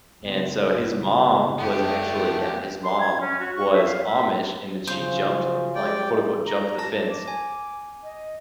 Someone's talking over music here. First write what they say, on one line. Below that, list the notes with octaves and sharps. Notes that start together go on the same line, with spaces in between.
and so his mom was actually yeah, his mom was Amish, and then she jumped like, quote, unquote, "jumped the fence,"
F#1 G#3 B3
F#2 A3 B3 D4 G4
C6
G#6
C#4
F#4
C#6
E5
F5
E5
C#3 F3 F#3 C5
G3 G#3 D5 G5
A#5
A5 A#6
D6
G#5
D#5